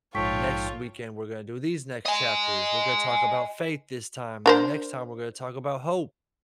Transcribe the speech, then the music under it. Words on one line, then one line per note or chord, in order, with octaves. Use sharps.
next weekend, we're gonna do these next chapters. We're gonna talk about faith this time, and then next time, we're gonna talk about hope."
A#1 G#2 F4 A4 C#5 G5 C#6 B6
D#5 G#5
D4 A#4 C5